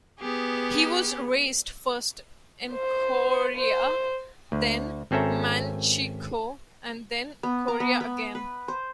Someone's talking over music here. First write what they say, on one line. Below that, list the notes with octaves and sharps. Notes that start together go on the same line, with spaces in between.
He was raised first in Korea, then Manchukuo, and then Korea again.
B3 G4 G#4
C5
C5
D2
G#1 C4 C#4 A4 E5 A#5
B3
A#5
B3
B3
B4
C5